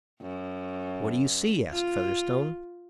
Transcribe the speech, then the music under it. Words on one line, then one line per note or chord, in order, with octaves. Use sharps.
"What do you see?" asked Featherstone.
F#2
F4